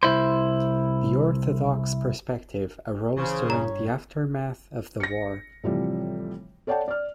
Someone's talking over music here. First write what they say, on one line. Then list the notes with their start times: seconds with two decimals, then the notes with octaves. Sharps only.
The Orthodox perspective arose during the aftermath of the war.
0.03 C2 E4 C5
3.17 C#3 E3 C5
3.50 G2 C#5 A#5
5.00 A#6 C#7
5.64 A2 C3 E3 F3 G3
6.67 A4 C#5 D5 F#5 G5 A5
6.88 D5 F6